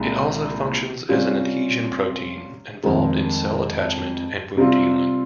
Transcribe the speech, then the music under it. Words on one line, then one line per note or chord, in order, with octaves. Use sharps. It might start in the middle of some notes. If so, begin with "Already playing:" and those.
It also functions as an adhesion protein, involved in cell attachment and wound healing.
Already playing: C2 A#2 G#3 D#4
C3 G3 C#4 F4
F2 D#3 G#3
C3 G3 C4 F4